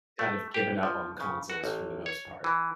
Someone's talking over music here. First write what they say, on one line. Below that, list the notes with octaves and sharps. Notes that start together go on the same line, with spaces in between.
kind of given up on consoles for the most part,
A3
G4
F3
C#3
F#4
A1
C#5
E3